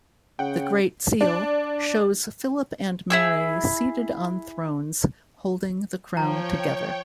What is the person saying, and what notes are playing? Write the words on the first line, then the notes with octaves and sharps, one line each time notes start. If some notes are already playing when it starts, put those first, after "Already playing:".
The Great Seal shows Philip and Mary seated on thrones, holding the crown together.
C#3 F#5 G5
D4
E4 G#4 E6
F3 C#5 G5 A#5